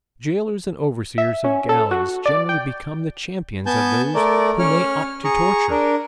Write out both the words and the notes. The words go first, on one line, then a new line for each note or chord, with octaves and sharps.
Jailers and overseers of galleys generally become the champions of those whom they ought to torture.
E5
C#4
A4
F#4
D5
G5
B3 G#5 A5 G6
A3 A#4 D5
C#4 C#5 F6
G#4 A#5 C#6
D4 A#4